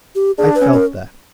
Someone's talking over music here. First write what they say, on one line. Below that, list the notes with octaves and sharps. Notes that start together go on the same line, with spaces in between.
I felt that.
G4
D4 G#4
B4
C#4
A#4